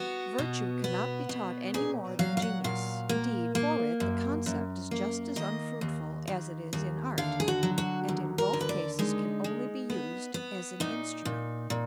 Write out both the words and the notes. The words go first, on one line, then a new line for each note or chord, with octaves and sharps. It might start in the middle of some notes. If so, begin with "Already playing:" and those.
Virtue cannot be taught any more than genius; indeed, for it the concept is just as unfruitful as it is in art, and in both cases can only be used as an instrument.
Already playing: B3 F#4
B2
B3
B2
A#2 G#4
F#3 F5
F5
F#5
A#2 F5
A#3
A#3
F#2
F#2
A#3
D#3 D#5
D#2
D#2
D#2
D3 F5
G#4
F#4
F#3
F#4
D#2
A#4
D3
B4
D5
G#3 D#4
G#3
B3
B3
A#2 D#4
A#2
A#2